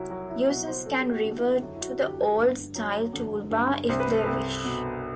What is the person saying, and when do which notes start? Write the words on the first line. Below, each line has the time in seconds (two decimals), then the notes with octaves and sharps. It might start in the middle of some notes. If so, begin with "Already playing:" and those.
Users can revert to the old-style toolbar if they wish.
Already playing: C2 F#3 E4 F#4
0.10 F#3 F#4
0.30 E4
0.48 B2 F#4
0.67 C5
0.86 F#3 A4
1.00 G4
1.11 F#4
1.24 D3
1.37 E4
1.62 F#3 E4
1.75 E4
1.81 F#4
1.99 D3 G4
2.19 G4
2.37 G2
2.75 F#3
3.13 D3
3.51 G2
3.89 C2 C5
4.00 B4
4.12 A4
4.24 C2 B4
4.64 B2